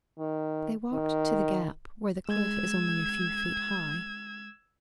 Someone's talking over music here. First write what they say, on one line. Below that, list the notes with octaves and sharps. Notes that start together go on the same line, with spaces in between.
They walked to The Gap, where the cliff is only a few feet high.
D#3
D#3
G#3 E6 G#6